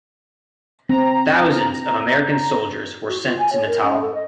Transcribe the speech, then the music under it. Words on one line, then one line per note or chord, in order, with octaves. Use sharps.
Thousands of American soldiers were sent to Natal.
C4 A#5
F#4
F4
G#5
C#5
A#4
C#4
A4
D#5